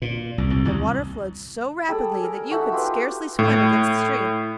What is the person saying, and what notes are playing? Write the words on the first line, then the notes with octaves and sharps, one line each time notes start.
The water flowed so rapidly that you could scarcely swim against the stream.
A#2
C2
C2
C2
G3 G#4 A4 B5
A#4
D#4 F#4 A4 E5
F4 G4 B4
A2